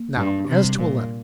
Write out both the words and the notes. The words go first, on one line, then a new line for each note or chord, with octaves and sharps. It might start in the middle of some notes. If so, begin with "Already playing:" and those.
Now, as to a letter.
Already playing: A#3
G2 D4
C3
G3
A#2